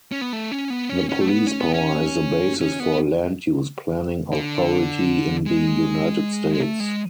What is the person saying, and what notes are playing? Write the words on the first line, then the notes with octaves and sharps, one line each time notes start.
The police power is the basis for land-use planning authority in the United States.
C#4
B3
A3
C#4
B3
C#4
C#4
A3
B3
C#4
B3
C#4
C#4
B3
D3
G#3
G#3
A3
G#3